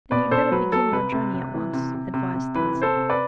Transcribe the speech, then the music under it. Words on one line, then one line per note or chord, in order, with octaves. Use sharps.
"Then you'd better begin your journey at once," advised the Wizard.
B2 B4 D5
B2 A4 C5
F#3 B4
F#3 A4
C3 B4
C3
C3
E3
C3
C3
C3
C3
E3 B4
C3
A4 C5
C3
B4 D5